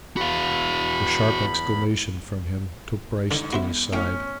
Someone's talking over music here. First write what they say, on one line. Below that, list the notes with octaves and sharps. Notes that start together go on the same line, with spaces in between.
A sharp exclamation from him took Bryce to his side.
E2 F#4 F5 B5
G2 D3
B3 F#4 C5 E5
A2 C#4 G5